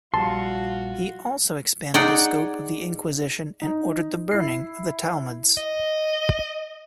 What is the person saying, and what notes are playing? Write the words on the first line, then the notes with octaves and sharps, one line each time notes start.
He also expanded the scope of the Inquisition and ordered the burning of Talmuds.
A#1 G3 F4 F#4 A5 C6
D#4 G#4 D5 F#5
D#4
E4 C7
D#5